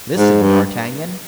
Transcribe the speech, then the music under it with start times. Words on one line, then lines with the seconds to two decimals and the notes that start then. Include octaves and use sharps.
Listen, D'Artagnan.
0.17 G#2
0.42 G2